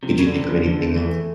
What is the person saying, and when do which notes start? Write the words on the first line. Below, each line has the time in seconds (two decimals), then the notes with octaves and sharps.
could you think of anything else?
0.03 C3 F3
0.19 C#3
0.25 D3
0.34 C3
0.45 C#3 F3
0.65 D3 F3
0.87 A3
0.96 E3
1.07 A3